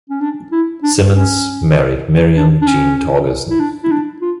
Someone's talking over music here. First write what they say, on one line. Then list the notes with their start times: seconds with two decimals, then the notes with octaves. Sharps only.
Simmons married Miriam Jean Torgerson.
0.10 C#4
0.21 D4
0.52 E4
0.83 D4
1.14 C#4
2.37 D4
2.62 D4
2.67 C#4
3.50 E4
3.60 D4
3.83 E4
3.91 D4
4.22 F4